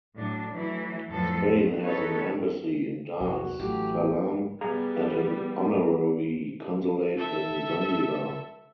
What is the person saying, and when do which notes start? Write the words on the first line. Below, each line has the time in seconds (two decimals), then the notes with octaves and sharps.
Spain has an embassy in Dar es Salaam and an honorary consulate in Zanzibar.
0.16 A2 F#3 D4
0.54 E3 F#3 A3 E4
1.09 F2 A2 F3 F#3 A4 B4
1.46 B2
1.84 D#4 A4 B4 C#5
3.21 C2 F2 F#3 F#4
3.60 A1 E3 F#3 A3 G4
4.61 G3 B3 G#4 F5 A#5
7.17 A4 E5